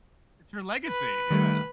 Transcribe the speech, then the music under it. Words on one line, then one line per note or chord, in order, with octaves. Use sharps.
It's her legacy, yeah.
B4
D#3 G3 A3